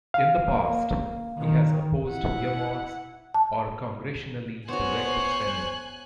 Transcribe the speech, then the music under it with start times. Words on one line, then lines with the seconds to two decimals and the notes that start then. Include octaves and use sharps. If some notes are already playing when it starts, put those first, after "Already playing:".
In the past, he has opposed "earmarks", or congressionally directed spending.
0.14 F5
0.48 A#3
1.40 D#3
2.10 E4 F#5
3.34 A5
4.69 B3 F#4 C5 C#5 G#5 C#6 F#6